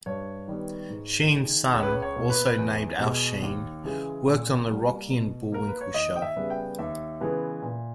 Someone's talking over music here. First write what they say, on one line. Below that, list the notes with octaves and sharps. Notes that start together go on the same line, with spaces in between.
Shean's son, also named Al Shean, worked on "The Rocky and Bullwinkle Show".
G2 C#5
D#3 G3 B3
G#2
D#3 G#3
C#2 C#5
B4
C#5
C#5
B2 A#3
B4
E2
B2 G#3
D#2
C#3 E3 G#3
A#2
G3 A#3
B2
A#3 A#4
B4
C#5
D#2 D#5
G5
E5
C#3 G3 B3
G5
D#2 E5
C#3 E3 G#3 B3
A#2